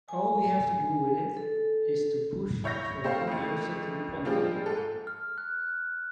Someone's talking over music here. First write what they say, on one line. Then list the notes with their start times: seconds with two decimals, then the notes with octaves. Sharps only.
All we have to do with it is to push for Rubio City pronto.
0.09 G#5
1.37 A4
2.64 E4 C#5 G6 A#6
3.04 A3 C4 G4 C5 F5
3.27 F2 C#3 A3
4.25 F3 G3 G#3 C4 D4 F4
4.66 G#2 A4
5.07 F6
5.38 F#6